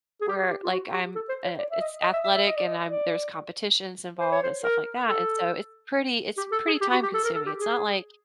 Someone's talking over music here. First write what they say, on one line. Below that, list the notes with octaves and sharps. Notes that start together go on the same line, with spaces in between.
where, like, I'm, uh it's athletic, and I'm there's competitions involved and stuff like that, and so, it's pretty it's pretty time consuming, it's not like
G#4
G4
G4
F4
F#4
G4
A4
C5
C#5
D5
E5
D#5
D#5
E5
E5
E5
D#5
D5
D#5
D5
C5
C#5
C5
A#4
A4
G4
A4
G#4
G4
F#4
G4
A4
A#4
A4
G4
G#4